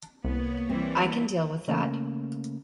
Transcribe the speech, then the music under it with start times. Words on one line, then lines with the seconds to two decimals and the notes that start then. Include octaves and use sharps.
I can deal with that.
0.25 C2 A#3 B3 C#5
0.70 E3 G3 C4 E4
1.68 C#3 A3 A#3 C#4